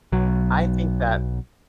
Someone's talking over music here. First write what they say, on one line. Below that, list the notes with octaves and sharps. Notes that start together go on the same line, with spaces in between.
I think that
B1 F#3